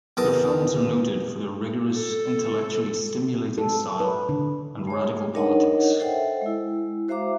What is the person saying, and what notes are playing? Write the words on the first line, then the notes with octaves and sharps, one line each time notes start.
Their films are noted for their rigorous, intellectually stimulating style and radical politics.
E2 A#4 A5 D#6
A4
A4
B4
D3
G#3 C#5
A3 G#4
D4 D#4 A#4 C#5 D#5 F#5
A4 C5 D#5 E5 F#5 G5
G#3 E4
F#4 C5 E5 F5 A#5 D6